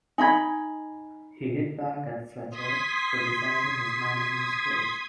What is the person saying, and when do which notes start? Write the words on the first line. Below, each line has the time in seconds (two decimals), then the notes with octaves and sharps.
He hit back at Fletcher, criticising his management skills.
0.18 D#4 D#5 G#5 B5 G#6
2.50 C6 D#6 G#6 B6